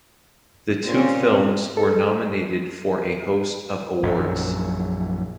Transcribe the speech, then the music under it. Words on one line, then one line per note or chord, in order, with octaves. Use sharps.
The two films were nominated for a host of awards.
A#2 C4 C#4
A4
A#1 F#2 F#3